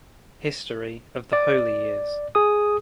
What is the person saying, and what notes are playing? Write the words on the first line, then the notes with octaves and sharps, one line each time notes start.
History of the Holy Years.
D5
G#4 D#6